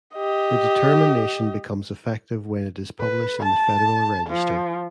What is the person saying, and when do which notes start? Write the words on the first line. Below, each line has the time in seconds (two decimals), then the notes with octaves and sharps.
The determination becomes effective when it is published in the Federal Register.
0.16 G4 D#5
3.00 B4
3.43 A5
4.30 F3